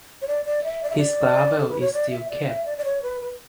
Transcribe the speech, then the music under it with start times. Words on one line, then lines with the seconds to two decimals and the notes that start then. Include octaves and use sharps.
His gavel is still kept.
0.22 C#5
0.27 D5
0.45 D5
0.64 E5
0.83 D5
0.90 E5
0.97 D5
1.59 A4
1.69 B4
1.81 C#5
1.93 D5
2.11 E5
2.29 D5
2.48 E5
2.65 D5
2.78 D5
2.85 C#5
3.02 B4
3.21 B4